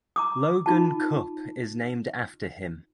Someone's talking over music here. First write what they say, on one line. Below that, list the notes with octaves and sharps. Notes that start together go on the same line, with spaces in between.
Logan Cup is named after him.
A#5 D6 D#6
D#4 F4 A5